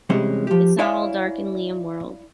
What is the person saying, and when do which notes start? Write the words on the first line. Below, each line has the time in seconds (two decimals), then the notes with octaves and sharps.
It's not all dark in Liam World.
0.10 C3 E3 G3 G#3 C#4
0.47 F3 G4
0.78 E4 C#5 D5 E5 F5 G#5